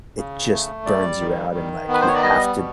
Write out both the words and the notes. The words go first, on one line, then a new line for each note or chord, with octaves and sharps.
it just burns you out and, like, you have to d
C#3
A3
G3 D5
D#3
D#3
B3
B4
C5
C#5
D5
G3 D#5
B2